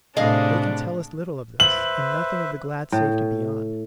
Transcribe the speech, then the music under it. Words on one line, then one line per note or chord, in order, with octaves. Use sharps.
They can tell us little of this, and nothing of the glad safety beyond.
A2 C3 D4 G#4 D#5 F5
B4 C5 E5 F#7
A2